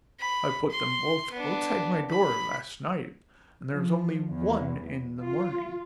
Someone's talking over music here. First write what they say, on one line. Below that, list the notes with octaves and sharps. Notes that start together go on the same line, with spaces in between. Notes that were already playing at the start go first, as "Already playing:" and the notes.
I put them both outside my door last night, and there was only one in the morning.
B5
C6
B3 D4
B5
F3
E2
F4